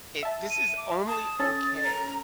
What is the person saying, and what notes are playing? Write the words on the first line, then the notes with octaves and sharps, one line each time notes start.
it this is only okay
E5 A5
D#7
D6
A5 D#6
C#4 A4 A6
A#5